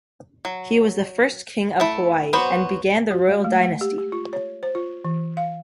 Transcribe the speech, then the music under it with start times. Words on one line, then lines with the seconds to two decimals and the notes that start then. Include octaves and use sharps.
He was the first King of Hawaii, and began the royal dynasty.
0.45 F#3
1.80 A3 E4
2.33 F#3 B3 F#4 C5 B5
3.11 F#4
3.29 G#3
3.44 A3
3.63 F#5
3.81 G4
3.98 G4
4.12 F4
4.33 C#5
4.63 C5
4.75 F4
5.05 E3
5.37 F5